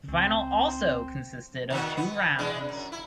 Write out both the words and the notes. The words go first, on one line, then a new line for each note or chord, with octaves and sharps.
The final also consisted of two rounds.
C#2 C4
A#2 D#3 B3
B3
E3 G#3 D4
F#2
E4